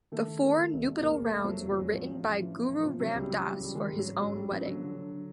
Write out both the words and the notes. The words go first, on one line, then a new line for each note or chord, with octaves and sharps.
The four nuptial rounds were written by Guru Ram Das for his own wedding.
D#3 A3
D#3
D#3
D#3
C2
C2
E2 A#3
F1
A3
F1
F3
F1 F#3
F1
F3
E2 F#3
A1 F3
A1
A1
E3
E3
A1
C3 F3
C3 F#3
C#2 G3
E3 F#3
E3 G3
F#3
C#2 G3
D#3 G#3
G#2 G3
F#3
A1
G#2 F#3
A1 G3
A1 F3
D3 F#3
D3
D3
D3